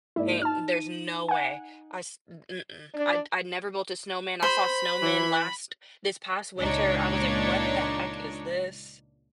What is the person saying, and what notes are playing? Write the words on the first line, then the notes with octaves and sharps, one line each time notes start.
eh, there's no way." I s m mm-mm. I'd I'd never built a snowman, I saw snowmen last this past winter, I was like, "What the heck is this?"
G#2 A#3 E4 D5
D#4 A5 F6
D#7
F#5 G#5
D4
C5 B5
E3
C#2 A#2 D4 D#4 C#5